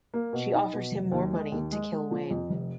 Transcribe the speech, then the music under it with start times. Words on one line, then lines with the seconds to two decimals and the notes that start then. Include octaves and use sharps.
She offers him more money to kill Wayne.
0.14 A#3
0.33 B2
0.53 D#4
0.73 B2
0.92 F1
1.12 D#2
1.33 G#3
1.52 D#2
1.72 G#3
1.92 G#3
2.11 F3
2.31 F2
2.50 F1